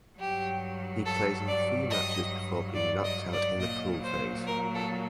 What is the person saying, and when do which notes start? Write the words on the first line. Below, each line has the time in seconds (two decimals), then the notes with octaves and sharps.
He plays in three matches before being knocked out in the pool phase.
0.19 G2 F#3 G4
1.05 A4
1.47 D5
1.89 D#5
2.74 D5
3.04 D#5
3.32 D5
3.60 A#2 F#3 D#5
4.03 C5
4.46 A#4
4.74 A4